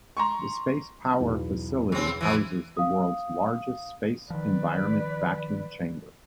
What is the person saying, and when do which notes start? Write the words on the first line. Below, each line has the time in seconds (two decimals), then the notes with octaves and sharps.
The Space Power Facility houses the world's largest space environment vacuum chamber.
0.17 A#5 C6 C#6
1.20 B1 E2
1.92 C#3 C4
2.21 E3 F3
2.77 F5 D#6
4.30 D#3 F3 B4 D5